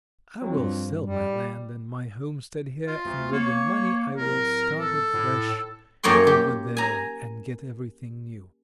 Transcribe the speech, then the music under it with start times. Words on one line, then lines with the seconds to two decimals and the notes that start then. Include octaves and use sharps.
I will sell my land and my homestead here, and with the money I will start afresh over there and get everything new.
0.42 F2 F#3 C4
0.55 G2
1.01 G3
2.87 F4
3.05 D2
3.32 A#3 C#5
4.17 D1 A#4
4.79 A4
5.13 A2
6.03 F#2 A#3 C#5 G5 C6
6.27 G4
6.77 G#5 A#5